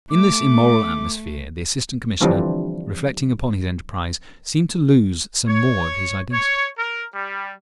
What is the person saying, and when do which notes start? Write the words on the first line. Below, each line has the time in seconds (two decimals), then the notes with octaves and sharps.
In this immoral atmosphere the Assistant Commissioner, reflecting upon his enterprise, seemed to lose some more of his identity.
0.10 A3 D6
2.21 D3 E3 F3 G3 C4 D4
5.48 C#5
6.32 C#5
6.77 A#4
7.13 G3